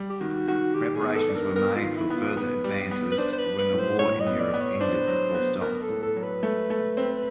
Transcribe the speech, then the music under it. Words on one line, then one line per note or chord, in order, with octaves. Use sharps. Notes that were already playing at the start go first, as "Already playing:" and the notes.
Preparations were made for further advances when the war in Europe ended.
Already playing: G3
G4
D#3 F#4
D#3 F#4
D#3 G4
G#4
B3
A4
D4
A#4
B3 A#4
F4
D#3
E4
B3
F4
B3 B4
G3
B3
B4
D4 C5
C5
B4
D4
B4
A2
C5
A2 C#5
D#5
B3
D5
B3
C#5
D4 C5
F#3
B3
B3 A#4
A4
A2
A4
F#3
B4
A3
A3
C4